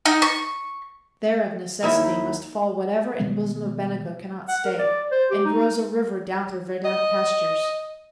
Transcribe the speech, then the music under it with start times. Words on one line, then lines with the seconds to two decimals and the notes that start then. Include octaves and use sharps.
There of necessity must fall whatever In bosom of Benaco cannot stay, And grows a river down through verdant pastures.
0.06 D#4
0.22 C#6
1.83 D#2 D#4 E4
3.20 B2 D#3 G#3 B3
4.48 F#5
4.65 A#4
4.79 D5
5.12 C5
5.31 G4
5.45 D#4
6.85 D#5